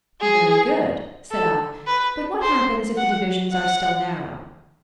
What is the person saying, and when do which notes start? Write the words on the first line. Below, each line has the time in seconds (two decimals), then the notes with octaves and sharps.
"Very good," said I; "but what happens if the divisions are still narrow?"
0.21 G#4
1.31 A4
1.87 B4
2.42 C5
2.97 F#5
3.53 F#5